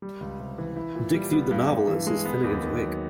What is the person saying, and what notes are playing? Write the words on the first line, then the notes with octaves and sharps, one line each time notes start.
Dick viewed the novel as his "Finnegans Wake".
G3
C#2
C3
E3
E4
A#2
G3
B3
G2
G2
E3
G#3
B3
D#2
D#3
F#3